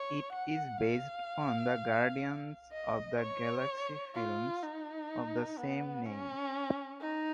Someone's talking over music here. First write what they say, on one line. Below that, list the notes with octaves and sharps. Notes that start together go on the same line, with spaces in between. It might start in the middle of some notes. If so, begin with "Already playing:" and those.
It is based on the Guardians of the Galaxy films of the same name.
Already playing: C#5
F#5
F5
D#5
C#5
F4
D#4
B3
C#4
D#4